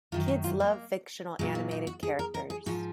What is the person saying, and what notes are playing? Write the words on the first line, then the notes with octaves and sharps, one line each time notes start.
Kids love fictional animated characters.
F#2 D#3 F#3 F4
F#4
F4
A#3
A#2 F#3 G#3
A#3
D#4
F#4
G#4
A#4
A#4
G#4
G#2 F3 F#4